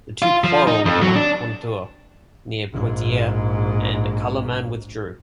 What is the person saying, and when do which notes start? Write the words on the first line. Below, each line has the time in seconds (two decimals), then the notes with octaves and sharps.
The two quarreled at Moncontour, near Poitiers, and Carloman withdrew.
0.22 F4
0.44 F3
0.67 D#4
0.86 F2
1.02 F#3
1.15 D4
2.73 A#1 G#2